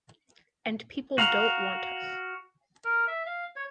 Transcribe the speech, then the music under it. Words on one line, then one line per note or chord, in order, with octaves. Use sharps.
And people don't want us.
F#4 F5 A#5
A#4
E5
F5
C#5